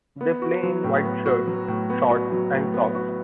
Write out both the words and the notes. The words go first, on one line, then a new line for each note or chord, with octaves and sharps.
They play in white shirts, shorts and socks.
B3
F#4
F#3
A2
B3
F#4
F#3
A2
B3
F#4
F#3
A2
B3
F#4